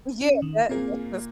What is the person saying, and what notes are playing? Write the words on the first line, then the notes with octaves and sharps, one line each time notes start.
Yeah, that that's just
C#4
D#3
A#2 A#3 C4 G#4